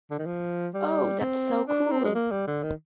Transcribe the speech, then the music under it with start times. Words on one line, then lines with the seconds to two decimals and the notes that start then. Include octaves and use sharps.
Ooh! That's so cool!
0.11 D3
0.19 D#3
0.26 F3
0.74 G3
1.20 C4
1.68 D4
1.91 C4
2.05 G#3
2.15 A#3
2.31 G3
2.47 D3
2.63 D#3